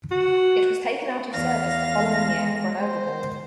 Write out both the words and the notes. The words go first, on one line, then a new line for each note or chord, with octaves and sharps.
It was taken out of service the following year for an overhaul.
F#4
E2 D5 F5 A#6
G#3
C5